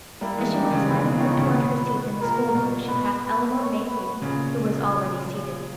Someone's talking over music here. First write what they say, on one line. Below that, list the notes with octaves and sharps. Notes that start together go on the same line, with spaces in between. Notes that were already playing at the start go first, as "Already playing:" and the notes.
As she went smilingly toward her seat in the schoolroom she passed Elinor Mayhew, who was already seated.
G3 A#3 E4
E3 G#3
D#3 G3 G4
C#3 E3
C#3 E3 B4
B2
C#3
B2 D#3 C#5
A#2 C#3
B2 B4
A#2 A#4
B2
B2 B4
B4
C#5
B4
A#2 C#3